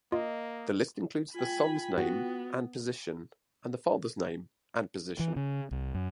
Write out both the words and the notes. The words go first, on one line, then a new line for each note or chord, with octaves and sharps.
The list includes the son's name and position and the father's name and position.
A#3 F4 D#5
F4 G5 G#5 B5
B3 F#4
E3
C#3
C2
F#2